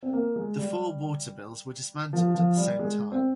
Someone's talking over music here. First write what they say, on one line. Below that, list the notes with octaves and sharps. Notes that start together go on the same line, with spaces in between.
The four watermills were dismantled at the same time.
C4
A#3
G#3
G3
F3
F3
G3
G#3
C4